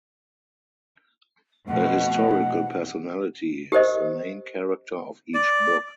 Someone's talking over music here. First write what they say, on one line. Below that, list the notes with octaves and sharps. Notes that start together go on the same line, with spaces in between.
A historical personality is the main character of each book.
F2 B2 A3 F#5
G4 A#4 C5 D#5
D5